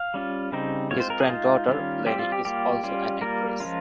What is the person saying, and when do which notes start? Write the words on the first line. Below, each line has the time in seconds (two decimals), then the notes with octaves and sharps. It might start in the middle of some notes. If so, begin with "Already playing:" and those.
His granddaughter Lenny is also an actress.
Already playing: F5
0.14 G3 C#4 F4
0.52 C#3 G3 C4 D#4
0.91 G#3 C4 F4 C#5
1.00 C5
1.10 A#4
1.20 G#4
1.29 G#3 D#4 F4
1.68 D#3 G3 C#4 F4
2.06 G3 C4 F4 G4
2.19 F4
2.32 G4
2.45 G3 A#3 F4 G4
2.83 G3 C#4 F4
3.21 G3 A#3 F4 A#4
3.60 F3 G#3 C#4 F4